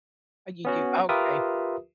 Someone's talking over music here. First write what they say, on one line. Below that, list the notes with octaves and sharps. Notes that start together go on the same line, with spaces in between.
Oh, you do? Okay.
B3 C#4 F#4
F4 G4 A#4 B4 E5 D#6